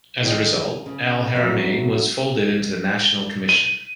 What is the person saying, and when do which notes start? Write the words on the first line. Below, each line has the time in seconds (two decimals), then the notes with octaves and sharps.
As a result, Al-Haramain was folded into the National Commission.
0.25 D#3 F4 G#4 C5 D#5 F5
0.86 C#3
1.33 F2 F#3 F#4 E5
3.49 D#7